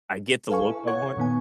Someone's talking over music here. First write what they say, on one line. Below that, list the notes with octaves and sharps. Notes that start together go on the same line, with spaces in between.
I get the look I want.
A4 B4 F5 G#5 C#6
E4
C#5 F#5 C#6 G#6
A#2 D#3 B3 G#5